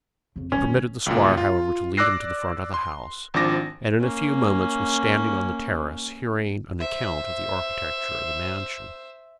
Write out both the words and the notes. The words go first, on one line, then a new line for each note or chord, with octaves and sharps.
He permitted the squire, however, to lead him to the front of the house, and in a few moments was standing on the terrace hearing an account of the architecture of the mansion.
F2 C#3
D#3 G3 C#4
C2
C#2 F#2 A#2
F4
D5 D6 E6 F#6 A#6 C7
C6
G#1 F3 D4 D6 A#6
A#3 C#4
C5 E5